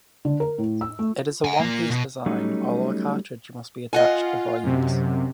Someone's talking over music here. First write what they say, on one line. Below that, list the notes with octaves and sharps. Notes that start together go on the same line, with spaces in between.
It is a one-piece design, although a cartridge must be attached before use.
D3
A#4
A2
E6
A3
F#5 G#5
A#3 F4
B2
F#3 G3 A3 C#4 D#4
F4 D#5 F#5 G#5
F#2 C3